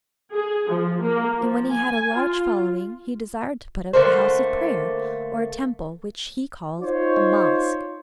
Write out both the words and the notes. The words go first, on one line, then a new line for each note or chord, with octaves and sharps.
And when he had a large following he desired to put up a house of prayer, or a temple which he called a mosque.
G#4
F3
A#3
F3
G#5
F4
D3 A3 A#3 C5
D#4 F4 C5 C#5